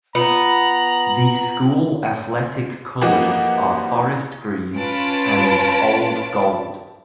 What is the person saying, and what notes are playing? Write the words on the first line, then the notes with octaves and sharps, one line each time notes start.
The school athletic colors are forest green and old gold.
B3 F4 A#5 F#7
E3 F3 A#3 D#4 F#4 G4
C#4 F4 B4 A5 D7